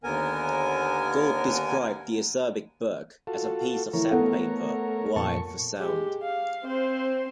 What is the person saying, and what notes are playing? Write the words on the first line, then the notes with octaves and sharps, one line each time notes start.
Gould described the acerbic Burke as a piece of sandpaper wired for sound.
D#2 D3 B3 A#4 G#5
F4 F#4 A4
E3 A3 A#4 C#5
B3 A4 F#5
F2 A#2 A5 C#6
G#3 G4
F5
C4 C5